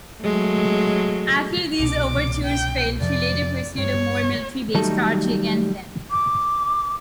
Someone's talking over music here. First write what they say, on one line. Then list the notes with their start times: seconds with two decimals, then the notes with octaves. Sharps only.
After these overtures failed, she later pursued a more military-based strategy against them.
0.23 F#3 G#3 A3
1.79 C2 B2 D6
2.45 G5
3.01 F2 C3 F3 D5
3.78 G2 C#5
4.74 D#3 F#3 G3 A3 D#4 A4
6.11 D6